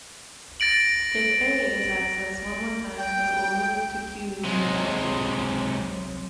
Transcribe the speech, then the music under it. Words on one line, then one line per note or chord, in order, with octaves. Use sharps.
If "a" is accessed one more time it will move to Q below "b".
A6 A#6 D7 F#7
G5
C3 F#3 G#3